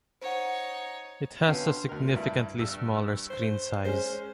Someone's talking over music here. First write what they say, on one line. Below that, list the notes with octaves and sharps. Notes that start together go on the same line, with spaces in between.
It has a significantly smaller screen size.
D#4 C5 C#5 F#5
D3 B3 C#4 F5 G5
C6
D2 A#4
G2 E4
G2 E6
C5
G#3 C#4 C5